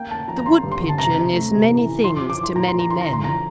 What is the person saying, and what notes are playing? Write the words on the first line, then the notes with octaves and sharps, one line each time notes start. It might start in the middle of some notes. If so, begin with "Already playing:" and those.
The woodpigeon is many things to many men.
Already playing: A#3 G5
A#3 A5
F3 A#5
A#5
A#3 C6
G2
C6
D3
A5
C3 A#5
C3
A3
C3
E3
E3
F3 C6
D6
F3
D6
E4
C6
A#2 A#5
C6
A#2
A#5
E4 C6
A#5
D3 C6
F3 A#5